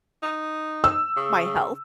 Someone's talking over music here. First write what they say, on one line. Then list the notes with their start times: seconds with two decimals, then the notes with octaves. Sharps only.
my health.
0.23 D#4
0.84 E6
1.17 C#3